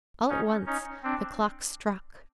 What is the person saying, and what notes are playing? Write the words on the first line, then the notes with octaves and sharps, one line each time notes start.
All at once, the clock struck.
C#4 D#4
C#4 D#4
C4 D4